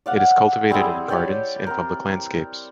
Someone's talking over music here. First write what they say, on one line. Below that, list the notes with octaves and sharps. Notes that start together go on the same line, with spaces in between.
It is cultivated in gardens and public landscapes.
D5 F5 F#5
G3 C4 E4 G#4
G4 C#5 D5 G5
C4 A#4